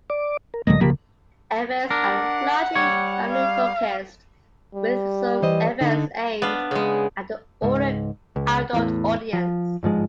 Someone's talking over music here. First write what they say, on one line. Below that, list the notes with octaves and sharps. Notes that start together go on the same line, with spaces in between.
Events are largely family-focussed, with some events aimed at an older adult audience.
D5 D6
A#4
C#2 A2 D3 F#3 G#3 A#3 D#5 A#6
D1 C#2 C#3 F3 A#3 G4 A#4 B5
D4 A#4 F#5
G3 C#5
F5
G3
E3 C5 D#5
D3 D#4
B3 D4 F5
C#3 G#3
C#2 G#2
C#2
E2 A2
F3
G1 G#2 F3 G#3